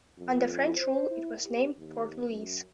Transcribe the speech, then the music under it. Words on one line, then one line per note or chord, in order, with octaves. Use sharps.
Under French rule it was named Port Louis.
F2
C5
E4
G4
D#2
F#2